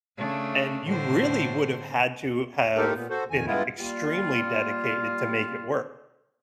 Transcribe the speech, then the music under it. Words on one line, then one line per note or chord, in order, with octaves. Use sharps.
and you really would have had to have been extremely dedicated to make it work.
C#3 A3 D4
A2 D3 C5
G#3 A#3 D#4 G4 A4 A#4
A#2 B3
F#4 A4 C5
F2 D#3 G#5
G2 G#3 B3 E4 F4
G3 A#3 F4